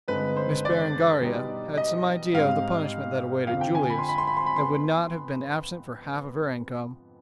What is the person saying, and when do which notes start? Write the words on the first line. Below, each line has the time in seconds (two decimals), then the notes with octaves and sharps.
Miss Berengaria had some idea of the punishment that awaited Julius, and would not have been absent for half of her income.
0.08 G2 D3 G#3 C4 D#4 B4
0.37 C5
0.65 D5
1.21 B2 G3 B3 D#4
1.78 D#5
2.34 G#2 G3 C4 D#4 F5
3.47 F2 D3 F3 F5
3.61 G5
3.75 G#5
3.90 B5
3.99 C6
4.08 B5
4.18 C6
4.27 B5
4.37 C6
4.46 B5
4.56 B3 C6